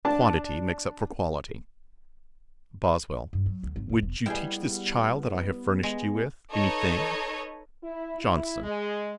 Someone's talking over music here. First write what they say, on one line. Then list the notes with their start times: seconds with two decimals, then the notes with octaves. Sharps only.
Quantity makes up for quality.' BOSWELL. 'Would you teach this child that I have furnished you with, any thing?' JOHNSON.
0.05 D4 A5
3.33 G2
3.46 F#3
3.63 D2
3.76 G#1
3.89 E1
4.02 E1
4.26 G3 B3 E4 G#4 G5
5.83 G#3
6.52 D#4 A4 B4 C#5 D#5
7.83 E4
8.21 E4
8.63 G#3